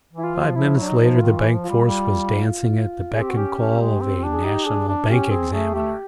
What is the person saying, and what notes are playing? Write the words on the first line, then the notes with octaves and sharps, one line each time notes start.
Five minutes later the bank force was dancing at the beck and call of a national bank examiner.
E3
E4
F4
F3
F3 E4
F#3 D4
D#4
F3
E4
D#3 F4
E3
F3
F4
G3
G3
C4 G#4
G4
F#4
C#4 G4
C#4
G#3
C4
D4
G#4
D#4 G4
D4 G#4
D4
C#4 G4
C4 G#4
A3 G#4
A3 G4